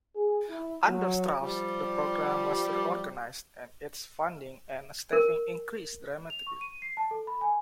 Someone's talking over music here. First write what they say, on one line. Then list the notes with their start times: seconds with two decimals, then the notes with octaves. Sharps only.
Under Strauss the program was reorganized, and its funding and staffing increased dramatically.
0.15 G#4
0.48 E4
0.87 F#3
1.41 F3 G3
5.13 A#4
6.30 F7
6.47 C#6
6.61 D#7
6.82 C7
6.97 A5
7.11 A4
7.27 B5
7.41 G#5